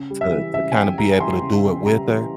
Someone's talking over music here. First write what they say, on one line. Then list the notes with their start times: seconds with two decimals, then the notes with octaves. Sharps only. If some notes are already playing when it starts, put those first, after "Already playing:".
to to kinda be able to do it with her,
Already playing: C#3
0.10 G3
0.21 E5
0.32 E3
0.54 C#3 E5
0.72 G#5
0.76 C#3 G5
0.98 G3 A#5
1.20 E3 C6
1.42 C#3
1.64 C#3
1.86 G3 A#5
2.08 E3